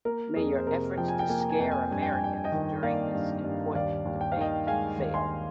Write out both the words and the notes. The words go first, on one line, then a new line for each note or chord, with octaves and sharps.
May your efforts to scare Americans during this important debate fail.
A#3 A#4
F2 G#4
C5
C3 A#4
F3 G5
G#5
G5
A#3 G#5
G5
G#5
F2 G5
G#5
G5
G2 G#5
G5
G#5
G2 G5
G#5
D#5 G5
D#3
A#3 D5 F5
G2
G2
D#2 D5 F5
D#2
G5
F5
D#3 D#5 G5
G#3 F5 G#5
D#2
G#5 C6